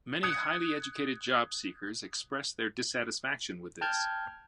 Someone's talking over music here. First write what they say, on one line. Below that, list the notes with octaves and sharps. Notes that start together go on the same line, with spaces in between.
Many highly educated job seekers express their dissatisfaction with this.
D#6 F#6 G#6 C#7
G5 A5 F6 G6 G#6